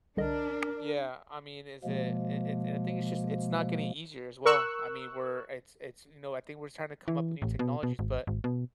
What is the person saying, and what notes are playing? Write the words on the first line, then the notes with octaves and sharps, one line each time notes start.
Yeah, I mean, is it it it and I think it's just it's not getting easier as well. I mean, we're it's it's, you know, I think we're just tryna come up with new technologies. But,
C2 D3 D4 A#4 D#5
B2 F3 G#3 A#3
A#4 C#6 E6 F#6
E3
A1
B2
B2
G#1
G#1
B2